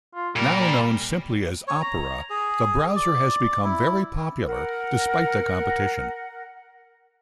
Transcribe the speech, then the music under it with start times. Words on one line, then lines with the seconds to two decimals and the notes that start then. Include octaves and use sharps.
Now known simply as Opera, the browser has become very popular despite the competition.
0.15 F4
0.36 A#2 G3 A#4
1.68 C#5
1.82 A#5
2.30 G#4
2.96 D5
3.64 E4
4.45 A#4 F#5